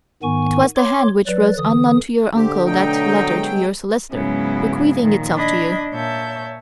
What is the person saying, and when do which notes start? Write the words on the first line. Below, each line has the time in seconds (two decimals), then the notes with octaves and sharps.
It was the hand which wrote unknown to your uncle that letter to your solicitor, bequeathing itself to you.
0.23 G#2 D#3 B3 G#5 C#6
0.76 C#5 C6 D6
1.27 F#3 B4 D5
1.57 D3 E3 D#6
2.35 D3 C4 G4
2.66 B2 F#3 A3 D4 D#4 G5
3.29 G#3
4.12 G#2 C#3 F#3 B3 C#4 E4
5.00 A#2 D#3 F3
5.34 D4 D#5 B5 G#6
5.93 A#2 C#5 E5 A5 G6